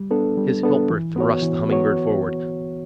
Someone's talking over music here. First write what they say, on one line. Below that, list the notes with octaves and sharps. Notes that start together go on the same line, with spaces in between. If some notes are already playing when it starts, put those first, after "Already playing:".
His helper thrust the Humming-Bird forward.
Already playing: G3
B3 D4 A4
G3
B3 D4 A4
E3
B3 F#4 C#5
E3
B3 F#4 C#5